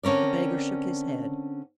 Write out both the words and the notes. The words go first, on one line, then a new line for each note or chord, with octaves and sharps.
The beggar shook his head.
D3 C4 C#4 A#4 D5